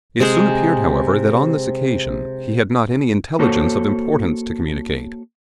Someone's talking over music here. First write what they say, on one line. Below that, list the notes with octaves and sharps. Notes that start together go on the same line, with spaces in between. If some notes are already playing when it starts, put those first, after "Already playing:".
It soon appeared however, that on this occasion he had not any intelligence of importance to communicate.
C3 G#3 G#4 C5
A#3 F#4 A4 C5 C#5